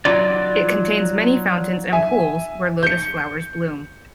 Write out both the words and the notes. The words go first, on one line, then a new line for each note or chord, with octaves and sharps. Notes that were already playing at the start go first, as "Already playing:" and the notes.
It contains many fountains and pools where lotus flowers bloom.
F#3 D#4 F4 D5
E5 G#5
G6 C#7